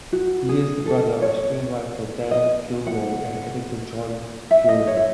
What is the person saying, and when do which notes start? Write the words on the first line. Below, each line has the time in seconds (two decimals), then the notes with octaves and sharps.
He is the brother of screenwriter Dan Gilroy and editor John Gilroy.
0.13 F#4
0.49 G#4
0.86 A4
1.22 C#5
2.31 D#5
2.87 F#5
4.51 E5
4.69 D#5
4.87 C#5
4.97 E5